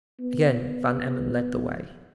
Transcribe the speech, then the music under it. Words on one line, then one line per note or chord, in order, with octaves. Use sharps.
Again Van Emmon led the way.
B3